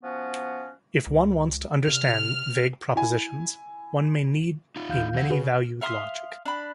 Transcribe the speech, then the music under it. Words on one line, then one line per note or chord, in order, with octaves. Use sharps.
If one wants to understand vague propositions, one may need a many-valued logic.
F3 B3 C#4 F#4
C#2
C3 F6
E4 G#5
D#4 F4
D#2 F5 G6
E3 F#5
C#3 F#4 G#4 B4
E5 F5 C6 D#6
D4 B5